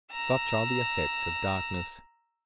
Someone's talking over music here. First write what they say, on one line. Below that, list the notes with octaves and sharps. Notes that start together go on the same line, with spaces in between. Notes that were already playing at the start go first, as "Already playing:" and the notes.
Such are the effects of darkness.
A#5 E6